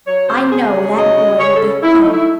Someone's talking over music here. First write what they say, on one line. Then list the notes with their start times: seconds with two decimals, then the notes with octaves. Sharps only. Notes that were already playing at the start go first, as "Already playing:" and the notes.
'I know that boy will be hung.'
0.07 F#3 C#5
0.29 C#3 C5
0.51 C#3 G#4
0.73 F#3
0.96 C#3 D#5
1.17 C#3
1.39 C#3 C#5
1.54 A4
1.61 C#3
1.83 C#3 E4
1.99 D#4
2.06 A3
2.13 E4